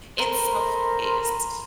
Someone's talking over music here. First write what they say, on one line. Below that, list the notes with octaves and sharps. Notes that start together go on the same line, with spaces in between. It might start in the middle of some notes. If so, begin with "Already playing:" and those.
It's self-paced.
A4 A#4 C5 B5 C6